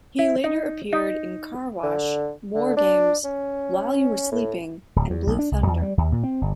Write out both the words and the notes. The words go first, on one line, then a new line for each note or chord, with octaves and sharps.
He later appeared in "Car Wash", "WarGames", "While You Were Sleeping", and "Blue Thunder".
E4
D#4
D#4
D3
D3
D4
C#4
A2
D1
E2
B1
D4
C2
E2
G3
D#2
A#2
C4
G1